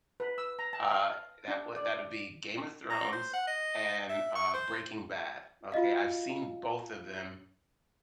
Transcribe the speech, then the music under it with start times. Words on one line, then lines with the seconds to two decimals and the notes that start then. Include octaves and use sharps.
Uh, that would that would be Game of Thrones and, uh, Breaking Bad, okay? I've seen both of them
0.20 B4
0.38 E6
0.59 A#5
0.73 A5
0.91 F5
1.48 D4
1.76 D5
2.90 A#5
3.12 C5
3.33 F#5
3.47 D#5
4.09 E5
4.35 C#6
4.54 C5
5.72 F4 F#4 D#5 F5